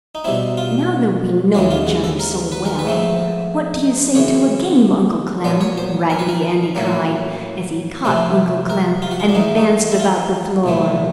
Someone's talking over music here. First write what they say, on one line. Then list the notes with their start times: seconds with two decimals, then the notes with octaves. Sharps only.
"Now that we know each other so well, what do you say to a game, Uncle Clem?" Raggedy Andy cried, as he caught Uncle Clem and danced about the floor.
0.15 D#4
0.24 B2 G3 C4 E4
0.57 F4
1.54 D#2 C#3 E3 G#3 C#4 F#4
1.71 F4
1.87 F#4
2.04 A4
2.20 A#4
2.52 B4
2.65 A#4
2.79 B4
2.84 G#2 F3 A3 C4
4.15 F#2 C#3 E3 C#5
5.44 A#2 F#3 B3 D5
5.61 C#5
5.78 C5
6.10 A#4
6.19 B4
6.29 A#4
6.75 A2 F#3 A#3 C#4
8.05 C3 F3 A3 C4
8.70 A#4
9.02 F4
9.11 F#4
9.20 F4
9.29 D4
9.35 G#2 E3 A3 D#4
9.56 D#4
9.92 E4
9.99 F4
10.64 C2 A#2 F3 A3